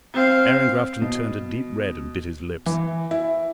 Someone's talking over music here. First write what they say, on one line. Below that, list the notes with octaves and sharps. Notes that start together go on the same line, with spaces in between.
Aaron Grafton turned a deep red and bit his lips.
C4 F5
B2
E3
E4